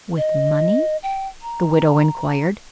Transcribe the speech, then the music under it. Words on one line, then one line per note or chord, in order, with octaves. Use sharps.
"With money?" the widow inquired.
D#5
G5
A#5